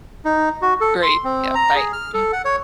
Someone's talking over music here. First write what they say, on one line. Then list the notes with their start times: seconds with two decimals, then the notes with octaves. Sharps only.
Great. Yeah, bye. Mm
0.25 D#4
0.62 F#4
0.81 A4
1.02 C6
1.24 C4
1.55 A#5
1.75 G#4
1.93 F6
2.14 A4
2.32 F#5
2.45 C#5